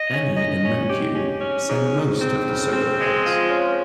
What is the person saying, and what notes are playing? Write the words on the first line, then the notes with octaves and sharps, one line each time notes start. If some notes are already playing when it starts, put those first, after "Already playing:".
Annie and Matthew sang most of the solo parts.
Already playing: D#5
C#4
D#5
C#4
G4
C#4
C#4
G#2
G#2
C4
C#3
C4
G#3
F3
C#4